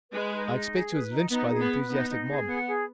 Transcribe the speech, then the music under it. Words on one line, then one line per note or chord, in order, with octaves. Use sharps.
I expect he was lynched by the enthusiastic mob.'
G#3 B4
D#4
D#4
G#4
B4
D#4
B3 D#4
G#4
B3
B4
B3 D#4
D#4
G#4
B3 F#5
G#4